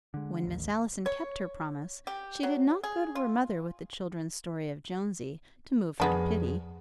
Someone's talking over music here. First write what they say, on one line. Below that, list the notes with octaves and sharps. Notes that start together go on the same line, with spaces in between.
When Miss Allison kept her promise she did not go to her mother with the children's story of Jonesy, to move her to pity.
D3 G#3
A1 D#2
C#5
G4
F#3
G#4
F4
F2 F3 G#3 B3 D4 G#4